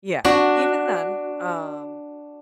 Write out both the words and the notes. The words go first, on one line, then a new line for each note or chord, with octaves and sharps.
yeah, even then, um
D4 F#4